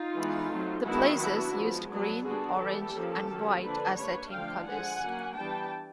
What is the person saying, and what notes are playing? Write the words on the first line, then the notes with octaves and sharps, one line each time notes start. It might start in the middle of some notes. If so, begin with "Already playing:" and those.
The Blazers used green, orange, and white as their team colors.
Already playing: D#4 F4
E3 G#3 B3
F#3 A3 C4
D#3 G#3 B3 D4 E4 F#4
F#3 B3 D4 E4 F#4
F3 G#3 B3
F#3 B3 D4
D3 G3 B3 D4 F#4 G#4
E3 G3 B3 G4 A4
F3 A#3 C#4
D#3 F#3 A#3 C#4
D3 F3 A#3 D4 A4 B4
G3 A#3 D4 B4 C#5
D3 F3 A3 D4 F5 G5
D3 F3 G#3 F#5 G#5
F#3 A#3 C#4
E3 G3 B3 D4 G5 A5